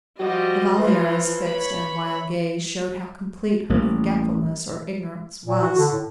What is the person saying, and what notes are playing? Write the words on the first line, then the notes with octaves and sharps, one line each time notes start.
La Valliere's fixed and wild gaze showed how complete her forgetfulness or ignorance was.
F3 G3 F#4 D#5
E3 F3 F4 B4
C#5 B5
A1 G3 A#3
A#2
F#4
D3
A2